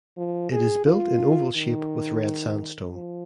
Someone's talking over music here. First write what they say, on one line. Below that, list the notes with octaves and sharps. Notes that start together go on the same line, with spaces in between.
It is built in oval shape with red sandstone.
F3
G#4
F4
D#3
F3